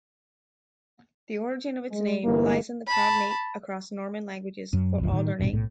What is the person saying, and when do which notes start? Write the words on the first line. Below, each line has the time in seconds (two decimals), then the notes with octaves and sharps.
The origin of its name lies in the cognate across Norman languages for Alderney.
1.91 G#3
2.24 G1 E3 A#3
2.87 A5 B5
4.73 F#2 F#3
4.99 G1 C#2 F3
5.12 A2 D#3
5.39 A1 G2 B2
5.52 B1 A2